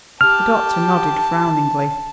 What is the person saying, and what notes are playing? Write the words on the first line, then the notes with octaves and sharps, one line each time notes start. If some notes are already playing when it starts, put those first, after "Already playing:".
The doctor nodded frowningly.
G4 A5 F6